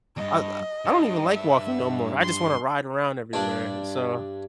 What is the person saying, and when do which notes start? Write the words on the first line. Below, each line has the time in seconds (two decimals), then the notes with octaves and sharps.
I, uh, I don't even like walking no more, I just wanna ride around everywhere, so
0.17 E2 G2 D#5
0.85 G2
1.35 E5
2.21 C6
3.33 G2 D4